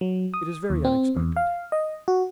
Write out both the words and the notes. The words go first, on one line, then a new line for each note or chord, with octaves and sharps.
It is very unexpected.
F#3
D#6
D#2
C4
E2
F5
D#5
F#4